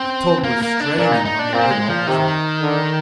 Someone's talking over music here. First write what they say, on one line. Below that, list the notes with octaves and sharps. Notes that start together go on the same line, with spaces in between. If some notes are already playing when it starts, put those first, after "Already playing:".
The tug was straining on the big hawser.
Already playing: C4
A#3
A#3
D4
A#2 D4
D#4
D#4
D4
A#2 C4
G#3
F3
C3 D#3
D3